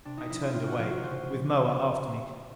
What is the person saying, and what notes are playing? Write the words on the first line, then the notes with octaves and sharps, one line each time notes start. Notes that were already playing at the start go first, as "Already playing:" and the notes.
I turned away, with Moa after me.
C3 D4
D#4
F3 E4
F4
C3 F4
F#4
F3 F4
F#4
C#3 C5